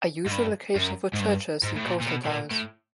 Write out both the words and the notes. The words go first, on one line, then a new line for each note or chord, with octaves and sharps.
A usual location for churches in coastal towns.
G#2
G2
F#2
G#2
G2
G#2
A2
A#2
A#2
B2
A2
A#2
A2